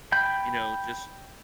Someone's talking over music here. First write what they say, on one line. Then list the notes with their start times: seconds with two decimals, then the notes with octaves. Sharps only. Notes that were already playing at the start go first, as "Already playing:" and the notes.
you know, just
0.12 G5 B5 G6